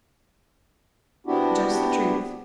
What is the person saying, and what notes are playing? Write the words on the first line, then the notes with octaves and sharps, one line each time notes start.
"Just the truth."
C3 B3 D4 E4 F#4 G4